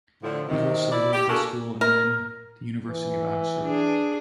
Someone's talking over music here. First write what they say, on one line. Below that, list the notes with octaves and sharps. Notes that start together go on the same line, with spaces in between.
He goes to the Rugby School and then the University of Oxford.
A2 D3 F3
C3 D#3
E4 D5
G4
A#3 D4 F4 F#4 G#4 A4
A#4
E3
D4 G#4